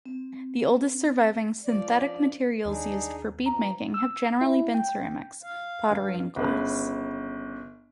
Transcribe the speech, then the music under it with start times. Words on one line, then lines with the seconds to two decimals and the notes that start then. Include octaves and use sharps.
The oldest-surviving synthetic materials used for beadmaking have generally been ceramics: pottery and glass.
0.06 C4
1.64 F3 D5
2.65 D#2 D4 D#4 G#4
3.46 G2 F3 A#5
3.94 E6
4.41 E4
4.74 G5
5.43 F5
5.90 G2
6.36 G1 C#3 B4